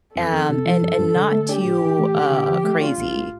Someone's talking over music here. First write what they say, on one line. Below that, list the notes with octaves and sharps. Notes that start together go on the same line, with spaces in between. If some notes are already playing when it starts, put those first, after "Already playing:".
um, and and not too, uh, crazy.
F2 A4
F2
C3
F3
G2
G2
D3
A3
D4 G4
A2
E3
A3
D3
D3
F3
A3
D4 F4
B1
A2